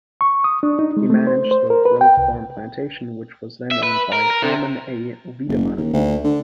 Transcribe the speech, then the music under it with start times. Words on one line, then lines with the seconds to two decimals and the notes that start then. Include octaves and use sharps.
He managed the Grove Farm Plantation which was then owned by Hermann A. Widemann.
0.21 C#6
0.44 D#6
0.63 D4
0.79 D#4
0.97 G#3
1.10 A3
1.27 C5
1.51 C5
1.70 A#4
1.85 B4
2.01 G5
2.17 C2
3.71 E5
3.83 B4
4.13 A#4
4.30 A#4
4.43 C3
5.48 F#1
5.77 D#2
5.93 D2
6.24 D3